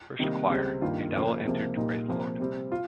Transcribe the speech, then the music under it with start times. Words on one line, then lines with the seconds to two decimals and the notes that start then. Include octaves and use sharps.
First choir: And I will enter to praise the Lord.
0.19 C3 D#3 G3 A#3 D#4
0.50 C#2 C3 G3 C4
0.82 G2 D#3 A#3 F4
1.13 C#3 F3 A#3 C#4 F4
1.45 C#2 C3 F3 A#3
1.76 A#2 G3 A#3 D#4
2.08 C3 F3 A#3
2.40 C3 G3 C4
2.72 F4